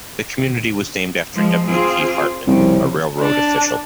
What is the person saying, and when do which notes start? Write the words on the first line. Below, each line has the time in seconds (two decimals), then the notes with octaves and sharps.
The community was named after W. P. Hartman, a railroad official.
1.35 F3 G#3
1.67 C4 F4 G#4
2.47 C2 C#3 F3
3.19 D4